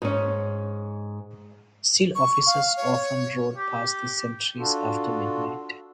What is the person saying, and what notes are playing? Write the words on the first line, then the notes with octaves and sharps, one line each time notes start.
Still, officers often rode past the sentries after midnight.
G#2 C#4
C#6
F5
C#5
G4
D4 F4 F#4 A4